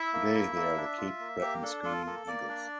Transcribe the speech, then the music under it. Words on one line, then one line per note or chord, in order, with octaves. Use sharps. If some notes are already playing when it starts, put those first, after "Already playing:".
Today they are the Cape Breton Screaming Eagles.
Already playing: E4 E5
A#3
E4
A#3
D4
F4
A#3
A#3 G4
D4 A4
F4 A4
A#3 A4
A#3 D5
D4